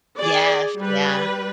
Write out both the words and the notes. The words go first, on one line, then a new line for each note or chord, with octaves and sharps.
Yes, yeah.
G#4 D5
G3 B4